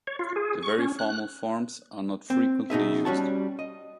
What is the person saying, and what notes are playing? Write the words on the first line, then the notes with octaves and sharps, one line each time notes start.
The very formal forms are not frequently used.
C#5
F4
G#4
C#6
C#4
F#6
C4
B2 D#4 G#4 E5
G3 C#4 F#4 A5
D#5